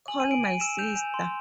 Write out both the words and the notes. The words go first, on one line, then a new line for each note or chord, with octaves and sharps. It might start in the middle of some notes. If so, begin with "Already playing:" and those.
Call my sister.
G#5 F#7
G#5 D#7
D7
G#5 D#7
E6 E7
G6 F7
G#5
C6